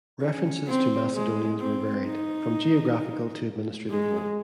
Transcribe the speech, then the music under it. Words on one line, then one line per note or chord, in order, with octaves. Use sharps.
References to "Macedonians" were varied, from geographical to administrative one.
C#4
C4
G#3
C4
D#4
G#3